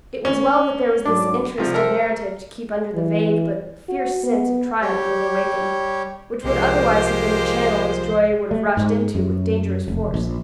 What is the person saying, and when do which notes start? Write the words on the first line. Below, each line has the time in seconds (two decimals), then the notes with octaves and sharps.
It was well that there was this interest of narrative to keep under the vague but fierce sense of triumph over Wakem, which would otherwise have been the channel his joy would have rushed into with dangerous force.
0.25 C#4
1.05 G#2 F#3 D4 D6
1.58 C2 F3
1.74 A4 A#4 C5 E5 A#5
2.95 E3
3.88 F#4
4.24 B3
4.81 G3 G4 C#5
6.44 C2 F3 G#3 A#3 G4 C5
8.51 A3
8.77 G#2
9.15 F#2
9.88 F1
10.14 A#1